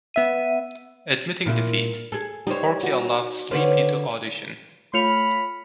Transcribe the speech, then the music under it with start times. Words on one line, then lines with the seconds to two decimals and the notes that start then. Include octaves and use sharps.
Admitting defeat, Porky allows Sleepy to audition.
0.14 B3 E5 D#7
1.46 A#2 E4
2.12 G#4 A4
2.47 G3 D#4 C5 C#5
2.83 F#4
3.51 D3 C4 C#4 B4 C5 D6
4.94 A3 F4 C#5 B5 F6 C#7 F7